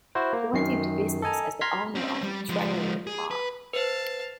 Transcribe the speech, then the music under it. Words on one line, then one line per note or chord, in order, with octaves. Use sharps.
He went into business as the owner of a trailer park.
E4 F#4 C5
A#3
F#2 D#3 C7
A4 D#5 G#5 A#5
A#5 C6 F6 G#6 B6
C4 C#4
G3
F3 G#3
G#4
B4
B4 C5 F5 A5